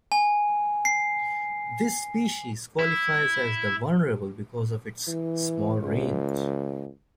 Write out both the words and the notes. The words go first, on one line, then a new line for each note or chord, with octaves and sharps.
This species qualifies as Vulnerable because of its small range.
G#5
C7
E4
E3
C#2